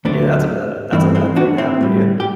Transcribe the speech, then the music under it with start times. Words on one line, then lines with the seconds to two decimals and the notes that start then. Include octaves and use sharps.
Yeah, that's a bad that's a bad thing to happen to you.
0.05 D2 D3 F#3 A3 B3 D4
0.92 G2 E3 A3 C4 E4
1.15 C4 E4
1.36 D4 F#4
1.58 C4 E4
1.81 A2 G3
2.20 G4